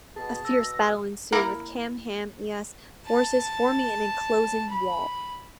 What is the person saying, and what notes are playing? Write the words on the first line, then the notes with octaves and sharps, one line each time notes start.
A fierce battle ensued, with Kamehameha's forces forming an enclosing wall.
B2 G#4 A5
B2 E6 A#6
A#3 E4 A#4
A5
B5